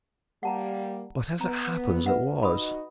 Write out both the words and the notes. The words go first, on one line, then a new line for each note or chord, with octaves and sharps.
But as it happens, it was.
G3 A#3 F#5 A5 A#5
B3 A#5
B4 E5 F#5
D#4 F#4 D#5 B5 D#6